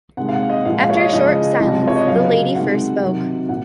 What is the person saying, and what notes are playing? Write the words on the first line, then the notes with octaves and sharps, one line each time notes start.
After a short silence, the lady first spoke.
C3 D#3 G#3 F#5
F5
F#5
D#5
A#2 F3 G#3 F5
F5
C#5
D#5
C#3 F3 G#3 D#5
C3 F3 G#3
C#5
D#5
C#3 F#3 F5
C3 D#3 G#3 F#5
C3 D#3 F#3
A#2 F#5